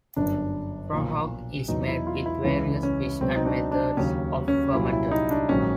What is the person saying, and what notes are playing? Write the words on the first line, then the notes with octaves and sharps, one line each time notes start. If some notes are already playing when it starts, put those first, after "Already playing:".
Prahok is made with various fish and methods of fermented.
G1 F#2 D3 D4
B1 A#2 F3
E2 B2 F#3 D#4
E4
F4
E4
C#2 C#3 E3 E4
C#4
C#2 B2 F#3 C4
D#4
D4
D4
D#2 C#3 F#3 C#4
C#4
C2 A#2 F#3 E4
E4
D#4
D4
A#1 G#2 D#3 F#3 C#4